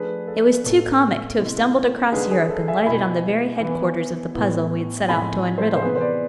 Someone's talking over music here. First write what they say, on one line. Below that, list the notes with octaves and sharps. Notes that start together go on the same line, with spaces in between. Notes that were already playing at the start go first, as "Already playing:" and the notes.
It was too comic to have stumbled across Europe and lighted on the very headquarters of the puzzle we had set out to unriddle.
Already playing: F3 A3 D4 G#4 B4
A4
B4
A2 G#3 B3 A4
C3 G#3 C4 E4
D3 G#3 D4 G#4 B4
G#4
A4
E5 G#5
B2 B3 E4 G#5 B5
E3 B3 E4
A2 E3 B3 E4
A2 F3 G#3 C4 E4 G#5 B5
A4 C5
C5
C3 E3 B3 G#4 B4
C5
B4 D5